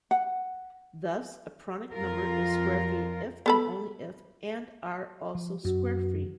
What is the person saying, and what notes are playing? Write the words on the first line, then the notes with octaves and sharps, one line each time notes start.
Thus a pronic number is squarefree if and only if and are also squarefree.
F#5
F2 F4 A#4
B3 A4 B5
F3
F#2 F#4